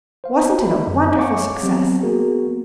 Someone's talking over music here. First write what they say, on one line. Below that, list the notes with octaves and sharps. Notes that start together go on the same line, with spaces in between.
Wasn't it a wonderful success?
C5 F5
B5
F#2
C#5 F5 F#5 G#5 C#6 D6
F#3 B3 C4 G4
A#3 B3 F#4 G#4 A#4